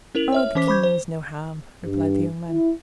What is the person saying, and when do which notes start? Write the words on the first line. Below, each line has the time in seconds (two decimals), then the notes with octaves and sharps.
"Oh! the king means no harm," replied the young man.
0.15 C#4 E4 A#4 F7 F#7
0.32 C#5 E5 F6
0.55 E3 C#4 C5 D6 B6
0.67 C5 B5 C#6 D6 G6 G#6
0.83 C5
1.84 G2
2.48 E4